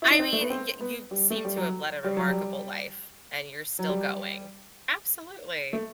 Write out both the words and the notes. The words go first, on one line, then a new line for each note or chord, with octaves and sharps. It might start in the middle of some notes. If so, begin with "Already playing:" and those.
I mean, y you seem to have led a remarkable life and you're still going. Absolutely.
E4
D#4
C4
A3
B3
C4
B3
G3
A3
G3
F#3
G3
F#3
G3
F#3
G3
A3